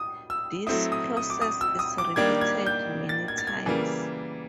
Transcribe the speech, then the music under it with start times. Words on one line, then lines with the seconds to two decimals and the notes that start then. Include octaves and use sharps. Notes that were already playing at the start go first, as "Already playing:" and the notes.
This process is repeated many times.
Already playing: D#6
0.30 E6
0.67 F#3 A3 C4 E4 D#6
0.92 D#6
1.17 D#6
1.30 D6
1.41 D#6
1.61 E6
1.79 D#6
1.98 D6
2.16 D#3 G3 A#3 D4 G#6
2.41 G#6
2.66 G6
3.09 A6
3.28 G#6
3.38 A6
3.47 G#6
3.66 C#3 E3 G3 A#3